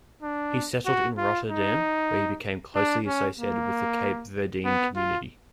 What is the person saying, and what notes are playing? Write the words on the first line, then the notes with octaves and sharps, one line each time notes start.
He settled in Rotterdam, where he became closely associated with the Cape Verdean community.
D4
F#4
F4
D#4
D4
C#4
A#3
B3
F4